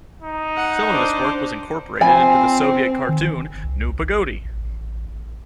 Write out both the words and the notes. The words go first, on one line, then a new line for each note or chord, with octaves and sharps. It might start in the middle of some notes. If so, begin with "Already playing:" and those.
Some of his work was incorporated into the Soviet cartoon, Nu Pogodi!
D#4
F#5
D4 C5
F3 C4 G#5 B5
D#3
G1
C2
G#1
A1